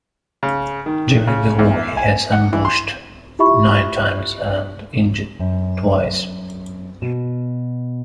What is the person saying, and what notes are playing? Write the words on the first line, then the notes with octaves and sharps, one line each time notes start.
During the war, he was ambushed nine times and injured twice.
C#3
D#3
C#3
E2
G#5
F#5
E3
C6
E4 F4 G4 E5 B5 C#6
F#2
B2